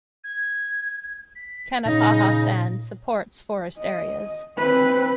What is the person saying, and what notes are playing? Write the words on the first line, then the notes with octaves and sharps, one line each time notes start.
Kanapaha sand supports forest areas.
G#6
B6
A#2 C#3 D#4 A#6
D#5
C4 B4